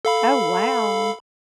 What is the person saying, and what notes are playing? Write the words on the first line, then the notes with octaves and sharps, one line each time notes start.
Oh, wow.
A4 F5 B5